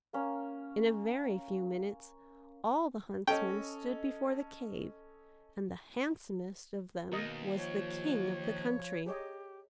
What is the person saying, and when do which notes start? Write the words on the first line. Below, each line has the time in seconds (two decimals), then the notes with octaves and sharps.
In a very few minutes all the huntsmen stood before the cave, and the handsomest of them was the King of the country.
0.13 A#3 C#4
3.27 C#4 A4 D#5 G5
7.12 D#2 B2 A#4 D#5
7.56 F3 C#5
9.06 G4 G#4 C#5 D#5